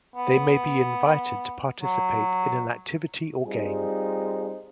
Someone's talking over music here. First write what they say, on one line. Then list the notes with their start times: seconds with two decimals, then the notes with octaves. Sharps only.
They may be invited to participate in an activity or game.
0.16 B3
1.83 F#3
3.45 G3 C4 D#4 F4 G#4